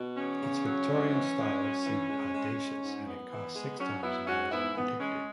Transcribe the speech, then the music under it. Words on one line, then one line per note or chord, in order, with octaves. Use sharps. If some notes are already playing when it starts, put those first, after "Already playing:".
Its Victorian style seemed audacious and it cost six times more than predicted.
Already playing: B2
E2 C#4
C#3
F#3
G#2
E3
G#3
F#2
E3
G#3
G#3
G#3
G#2
F#2 B3
E3
G#3
F#3 C#4
F#3 B3 E4
G#2 C#4 F#4
G#2 B3 E4
E3 B3
G#3 C#4